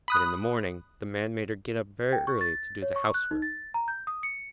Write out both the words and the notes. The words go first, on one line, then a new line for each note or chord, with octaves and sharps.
But in the morning the Man made her get up very early to do the housework.
B5 D#6 F#6
G5
C#6
A6
C#5
C#6
F#6
D#4
A6
A#5
G6
D#6
C#7